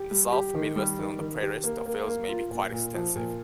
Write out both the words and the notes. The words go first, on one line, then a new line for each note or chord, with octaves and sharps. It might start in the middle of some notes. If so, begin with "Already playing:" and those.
In the South, Midwest and on the Prairies the fields may be quite extensive.
Already playing: G4
G3
G4
D#3
G3
D#3
D#3
G4
A#3
A#3
A#3
F4
A#2
A#2
F3
A#2